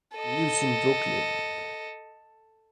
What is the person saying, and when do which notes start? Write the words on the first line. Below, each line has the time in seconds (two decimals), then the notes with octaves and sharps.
Lives in Brooklyn.
0.16 A4 D#5